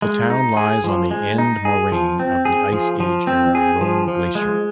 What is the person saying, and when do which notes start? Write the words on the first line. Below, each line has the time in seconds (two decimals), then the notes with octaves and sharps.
The town lies on the end moraine of the ice age era Rhone glacier.
0.02 G#3
0.30 D#4
0.57 G#4
0.84 F3
1.11 G#3
1.38 D#4
1.65 G#4
1.92 F3
2.19 C4
2.45 G#4
2.72 F3
3.00 F3
3.27 C4
3.55 G#4
3.81 F3
4.08 F3
4.35 G#3